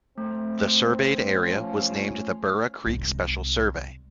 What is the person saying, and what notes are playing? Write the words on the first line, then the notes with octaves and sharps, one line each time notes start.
The surveyed area was named the Burra Creek Special Survey.
A3 C4
F3 C#4
C2 G#3